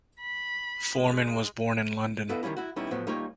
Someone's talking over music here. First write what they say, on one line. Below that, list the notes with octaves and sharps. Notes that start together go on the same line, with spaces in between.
Foreman was born in London.
B5
G#3
B3 E4 A4 B4 D#5 F5
D#3 E3 G3 C#4 E4
E4 F#4
G3 B3 C#4 D#4 E4
A2 F3 F#3 A3 B3
G3 A#3 D#4 F4 A#4 C#5